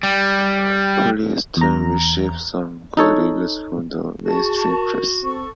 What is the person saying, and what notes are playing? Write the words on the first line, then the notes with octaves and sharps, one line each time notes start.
"Polyester" received some good reviews from the mainstream press.
G3
E2 A#5
D#4 A4 C#5
F#4 G#4 A5 C#6
A#4
C4 A4 C#6